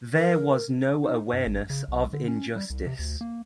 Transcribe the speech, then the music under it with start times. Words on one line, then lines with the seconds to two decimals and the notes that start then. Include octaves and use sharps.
There was no awareness of injustice.
0.16 A#4
1.04 D#4
1.33 G2
1.46 G#1
1.70 C#3
1.88 B1
2.13 D3
2.28 C#4
2.56 G3
2.70 C2
2.86 C3
2.99 D2
3.21 A#3